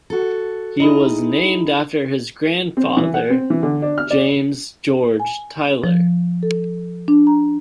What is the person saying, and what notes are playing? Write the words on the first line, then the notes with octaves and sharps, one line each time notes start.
He was named after his grandfather, James George Tyler.
F#4 A4
D#4 E4 G#4 D#5
C4
E3
F#5
C4
E3
D3
D4
F6
D5
G#5
F3
A4
D4
A#5